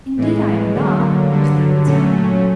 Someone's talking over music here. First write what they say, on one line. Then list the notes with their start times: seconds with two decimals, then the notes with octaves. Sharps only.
"Indeed I am not," was the answer.
0.17 A2 E3 G#3
0.74 D3 F#3 A#3
1.29 G2 D3 F#3
1.86 A#2 F#3 A3 C#4